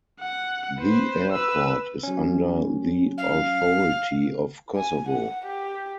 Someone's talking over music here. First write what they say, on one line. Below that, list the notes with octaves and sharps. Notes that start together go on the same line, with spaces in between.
The airport is under the authority of Kosovo.
F#5
B4 C5
B4 E6
F#3 C#4
F5
G#5
F#5
G4